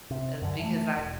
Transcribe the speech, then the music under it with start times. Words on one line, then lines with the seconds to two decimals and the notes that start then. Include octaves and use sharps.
uh, because I
0.11 C3
0.42 F#2 D3
0.60 E3 F#3 A3
0.97 E1